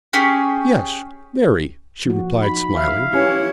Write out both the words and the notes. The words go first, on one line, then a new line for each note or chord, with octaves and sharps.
"Yes--very," she replied, smiling.
C#4 G4 G#4
F3 A#3 F#4
D#4 B5
E5 F5
C#4 E4 G4 B4 C#5